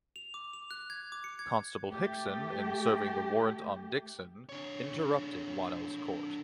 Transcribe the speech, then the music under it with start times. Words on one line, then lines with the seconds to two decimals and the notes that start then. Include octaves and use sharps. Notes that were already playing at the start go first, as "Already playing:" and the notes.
Constable Hickson, in serving the warrant on Dixon, interrupted Whannell's court.
0.16 F7
0.34 D6
0.53 F7
0.71 F#6
0.90 G#6
1.12 D6
1.24 C#7
1.39 G#6
1.90 A3 G4
4.49 D3 C#5